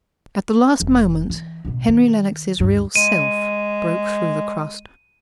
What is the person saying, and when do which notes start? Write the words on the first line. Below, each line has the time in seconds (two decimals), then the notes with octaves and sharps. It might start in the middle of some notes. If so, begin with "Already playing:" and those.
At the last moment, Henry Lennox's real self broke through the crust.
0.80 F1 E3
1.30 E3
1.65 A1 B2
1.88 D#3
2.60 D2 G2
2.96 G#3 D#7